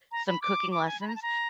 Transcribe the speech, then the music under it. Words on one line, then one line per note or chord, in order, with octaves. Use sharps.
some cooking lessons
A#5
B5
D6
D6
G#5
B5
A#5
A5
A#5